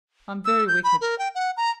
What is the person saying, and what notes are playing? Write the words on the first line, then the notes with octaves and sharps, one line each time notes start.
'I'm very wicked.
E6
G6
B5
A#4
G5
F#5
A#5